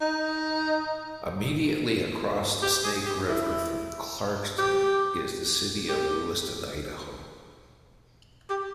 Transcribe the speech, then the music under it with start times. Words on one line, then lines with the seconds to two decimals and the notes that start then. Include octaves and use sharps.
Immediately across the Snake River from Clarkston is the city of Lewiston, Idaho.
0.01 D#4
2.62 G4
2.84 G#4
3.05 G4
3.28 E4
4.58 G4
5.88 G4
8.50 G4